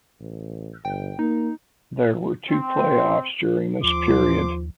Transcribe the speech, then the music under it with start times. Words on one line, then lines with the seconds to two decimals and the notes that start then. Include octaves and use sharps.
There were two playoffs during this period.
0.20 A1
0.85 G1 G5
1.19 A#3 D#4
2.49 C4
3.83 D#2 F3 C6 D6